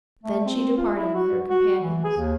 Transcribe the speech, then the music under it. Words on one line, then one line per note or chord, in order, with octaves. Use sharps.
Then she departed with her companions.
A3
C4
F4
E4
F#4
F#4
E3
G#4
D#2